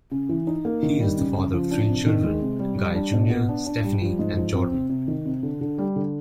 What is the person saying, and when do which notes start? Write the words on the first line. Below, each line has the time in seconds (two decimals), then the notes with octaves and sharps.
He is the father of three children: Guy Junior Stephanie and Jordan.
0.11 C#3
0.29 E3
0.47 D#4
0.65 A#3
0.83 D#3
1.00 G3
1.17 C#3
1.35 C#3
1.53 F3
1.71 D4
1.89 C3
2.06 D#3
2.24 G#3
2.42 C3
2.60 G3
2.77 G3
2.95 D4
3.13 B2
3.30 B3
3.49 D4
3.66 D4
3.84 G3
4.01 F3
4.19 G#2
4.37 F3
4.54 C4
4.72 C3
4.89 C3
5.08 D#3
5.26 C3
5.43 D3
5.61 D3
5.78 G3
5.96 D3